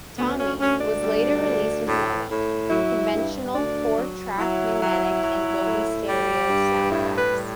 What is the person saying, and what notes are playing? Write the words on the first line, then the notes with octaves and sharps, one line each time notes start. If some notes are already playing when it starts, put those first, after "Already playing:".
"Tommy" was later released with mono, conventional four-track magnetic and Dolby Stereo soundtracks.
D2 B3
C#4
D2 C#4
D4
G3
D2
A2
A2
F#3 E4
G2
D2 D4
F#3
F#3 E4
F#3
F#3
A2
G3
G2
A2 E4
B4
G3